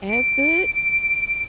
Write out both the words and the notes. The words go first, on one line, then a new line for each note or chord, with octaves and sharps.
as good,
D7